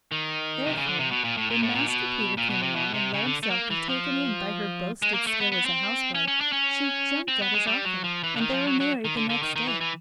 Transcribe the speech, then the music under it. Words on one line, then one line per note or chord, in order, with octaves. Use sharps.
Therefore, when Master Peter came along, and let himself be taken in by her boasted skill as a housewife, she jumped at his offer, and they were married the next day.
D#3
C3
C#3
D3
C3
B2
A#2
A2
A#2
A2
A#2
B2
A#2
B2
C3
B2
C3
C#3
D3
A3
A#3
E3
F3
G#3
A#3
A3
B3
B3
C4
C#4
C#4
D4
C#4
C4
B3
G#3
G3
F#3
F3
E3
D3
D#3
F3
F#3
F#3
D#3
D3
D3
D#3
D#3
E3
E3